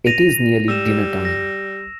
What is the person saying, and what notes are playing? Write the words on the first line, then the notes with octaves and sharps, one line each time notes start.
It is nearly dinner-time.
A#6 D#7 F7
G3 E6 E7
A#6